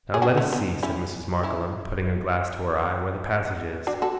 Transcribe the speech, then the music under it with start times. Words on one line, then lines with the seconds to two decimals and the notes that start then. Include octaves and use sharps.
'Now let us see,' said Mrs. Markleham, putting her glass to her eye, 'where the passage is.
0.14 G#4
0.22 D4 F#4
0.37 A3 C#4
0.53 B3
0.83 C#4 E4
1.43 C#4 E4
3.87 D4 F#4
4.02 F#4 A4